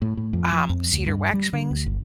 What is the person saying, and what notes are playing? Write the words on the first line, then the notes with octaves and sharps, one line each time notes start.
um, cedar waxwings,
A2
A2
F2
F3
F2
D2
G2
G3
D3
D2
G1